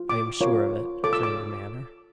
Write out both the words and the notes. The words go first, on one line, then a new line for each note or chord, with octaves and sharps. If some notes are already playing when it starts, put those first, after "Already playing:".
I am sure of it, from your manner.
Already playing: F4
D6
F4 A#4 C#5
F4 A4 C#5 D6
E6
D6